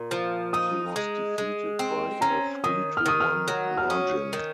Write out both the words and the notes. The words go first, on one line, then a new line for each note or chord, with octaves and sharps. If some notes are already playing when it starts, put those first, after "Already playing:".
He was defeated by a three-to-one margin.
Already playing: A#2
F3
D#4 D#6
G#3
G#3
C4
C#4 A#5
D#3 D#6
F6
D#3 D#6
F6
F#3
F6
C#4 D#6
D#3